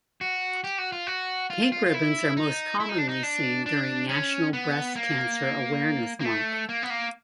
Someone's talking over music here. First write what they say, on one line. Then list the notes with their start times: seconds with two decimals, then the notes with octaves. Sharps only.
Pink ribbons are most commonly seen during National Breast Cancer Awareness Month.
0.21 F#4
0.64 G4
0.78 F#4
0.92 F4
1.07 F#4
1.50 F4
1.72 F4
1.86 F4
1.94 E4
2.37 D#4
2.80 E4
2.89 D#4
2.98 D4
3.09 D#4
3.23 D4
3.66 D4
4.09 C#4
4.53 B3
4.96 A#3
6.20 A#3
6.25 A3
6.69 A#3
6.83 B3
6.90 A#3